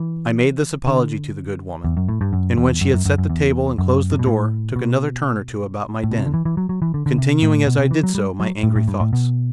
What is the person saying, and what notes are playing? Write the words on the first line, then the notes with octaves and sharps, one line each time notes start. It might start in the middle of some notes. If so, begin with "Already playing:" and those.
I made this apology to the good woman, and when she had set the table and closed the door took another turn or two about my den, continuing as I did so my angry thoughts.
Already playing: E3
D3
E2
F#2
A2
G2
F#2
E2
F#2
F#2
F#2
F#2
E2
F#2
C3
B2
A2
B2
A2
B2
C3
D3
E3
E3
F#3
F#3
E3
D3
D3
C3
A2
B2
C3
E3
F#3
G3
F#3
A2
A2
G2
A2
B2